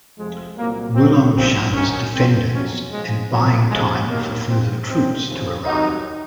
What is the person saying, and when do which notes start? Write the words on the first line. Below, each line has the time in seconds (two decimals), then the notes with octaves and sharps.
Wulongshan's defenders and buying time for further troops to arrive.
0.18 F2 C3 F3 G#3
0.56 C2 A#2 F#3 A#3
0.95 D#2 D#3 F#3 C4
1.35 C2 A#2 F3 C4
1.74 F#2 D#3 F#3 C#4
2.13 G#2 F3 C4
2.52 F2 C3 F#3 C#4
2.91 G#2 F3 G#3
3.30 F#2 F3 F#3
3.69 D#2 C#3 F3 G#3
4.08 D#2 D#3 F#3 A#3
4.47 G#2 F3 C4
4.86 C#2 C3 D#3 F#3 C4
5.26 D#2 C#3 F3
5.64 C2 C3 D#3 F#3 D#4